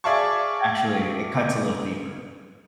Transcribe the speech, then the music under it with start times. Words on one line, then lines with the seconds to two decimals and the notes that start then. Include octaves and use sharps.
actually it cuts a little deeper.
0.04 G#4 D5 E5 F5 A5 C#6